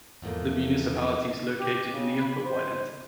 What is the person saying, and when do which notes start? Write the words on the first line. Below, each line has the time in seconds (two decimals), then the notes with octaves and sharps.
The municipality is located in the upper Wynental.
0.22 E2 G#2 F3 A3 A#3
1.58 G4
1.90 C#3
2.20 B5
2.45 C5